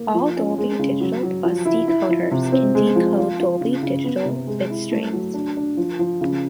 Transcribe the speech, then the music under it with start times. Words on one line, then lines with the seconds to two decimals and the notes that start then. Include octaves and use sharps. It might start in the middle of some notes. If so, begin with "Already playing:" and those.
All Dolby Digital Plus decoders can decode Dolby Digital bitstreams.
Already playing: A#3
0.14 F3
0.36 C#4
0.58 G#3
0.79 C#3
1.01 F#3
1.23 F#3
1.44 F3
1.65 E4
1.88 E4
2.09 F3
2.31 C3
2.52 C4
2.75 G#3
2.95 F3
3.18 F4
3.39 F4
3.61 C#3
3.83 C#3
4.04 B3
4.25 C3
4.47 G#3
4.70 E4
4.92 A3
5.13 F#3
5.34 D4
5.57 D4
5.77 F3
5.99 F3
6.21 C#3